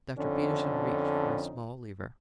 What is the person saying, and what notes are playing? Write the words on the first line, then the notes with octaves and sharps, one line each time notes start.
Dr. Peterson reached for a small lever.
F2 D3 C#4 D#4